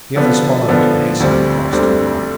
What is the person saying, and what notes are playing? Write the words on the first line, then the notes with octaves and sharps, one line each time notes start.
The others followed, and hastened across to the rock.
D3 F3 B3
D3 F3 B3
D2 D3 G3 C4
D2 D3 G3 C4